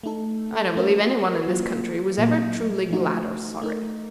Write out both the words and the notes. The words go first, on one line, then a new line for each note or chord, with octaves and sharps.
I don't believe any one in this country was ever truly glad or sorry.
A3 D#4 A4
A3 C#4 F#4 A#4
F#3 A#3 F4
A#2 F#3 A#3
F3 A3 D#4 F#4
A3 D#4 A#4